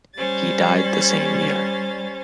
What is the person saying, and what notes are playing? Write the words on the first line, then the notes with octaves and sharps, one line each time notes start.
He died the same year.
G3 C#4 C5 A6